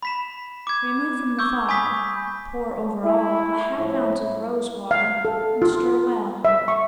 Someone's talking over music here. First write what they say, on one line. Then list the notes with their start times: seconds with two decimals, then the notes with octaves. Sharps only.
Remove from the fire, pour over all a half ounce of rose water and stir well.
0.03 B5 B6 E7
0.67 D6 G#6
1.39 C#6 D6 E6 G6
1.69 G#5 B5 C#6 D#6 B6
3.05 E4
3.79 A2 F3 E4
4.91 F5
5.25 A4
5.62 F4
6.45 E5
6.68 C#6